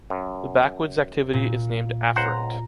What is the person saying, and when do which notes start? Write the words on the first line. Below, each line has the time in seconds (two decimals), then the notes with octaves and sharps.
The backwards activity is named “afferent”.
0.10 F#2
1.33 A#2
2.16 C#2 C5 F#5 A#5